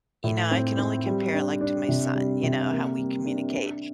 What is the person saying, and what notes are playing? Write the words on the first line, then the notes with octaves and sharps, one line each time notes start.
you know I can only compare it, like, to my son, you know, how we communicate.
A2
C4
C4
G3
D4
D4
C3
G3
C3
A#3
G3
D4
D4